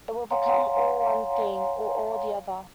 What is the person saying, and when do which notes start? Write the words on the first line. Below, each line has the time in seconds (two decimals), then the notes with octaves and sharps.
It will become all one thing, or all the other.
0.31 C#5 F5 F#5 G#5 A#5 C6